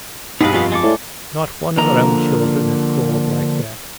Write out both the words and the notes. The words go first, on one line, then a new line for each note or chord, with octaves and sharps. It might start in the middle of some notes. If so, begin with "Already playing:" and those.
Not one of her own children had crawled like that.
B1 G2 B3 D#4 G#4 B4 F5
F2 F4 F5
G#3 A4 D6
A2 D5
D3 F3 A#3 A#5